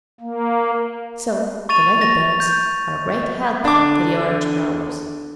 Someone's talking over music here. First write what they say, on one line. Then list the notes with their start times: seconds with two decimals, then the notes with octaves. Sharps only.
So the lady-birds are a great help to the orange-growers.
0.21 A#3
1.69 C#6 A6 D#7 F7
2.01 A#6
2.40 G6
3.65 D3 D4 D6